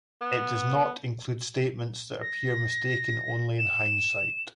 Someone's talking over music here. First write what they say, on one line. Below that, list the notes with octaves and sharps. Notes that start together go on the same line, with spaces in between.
It does not include statements that appear mistaken only in hindsight.
B3
A#6
E7